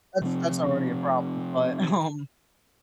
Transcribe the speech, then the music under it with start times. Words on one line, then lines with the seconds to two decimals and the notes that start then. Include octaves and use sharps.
that's that's already a problem, but, um
0.21 C3 F3 C4